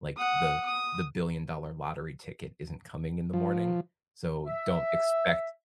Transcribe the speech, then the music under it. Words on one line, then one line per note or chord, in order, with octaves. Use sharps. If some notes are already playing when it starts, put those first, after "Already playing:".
like, the the billion-dollar lottery ticket isn't coming in the morning. So don't expect
F#5 D#6
D#6
F3
E5